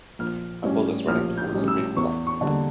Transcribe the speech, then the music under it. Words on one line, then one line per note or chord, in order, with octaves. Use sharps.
A bull is running towards a red cloth.
A#1 F6
A2 G3 C#4
A#1 F6
G6
A2 G3 C#4
E6
E2 C#6
C#6
D3 G3 A#3